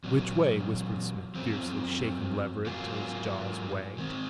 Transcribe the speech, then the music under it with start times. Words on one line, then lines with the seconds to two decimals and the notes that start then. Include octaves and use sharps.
"Which way!" whispered Smith fiercely, shaking Leverett till his jaws wagged.
0.04 A#2 F#3 C#4
1.35 F#2 F3 C4
2.66 G#2 F#3 A#3 F4 G#4
3.98 D#3 G#3 C4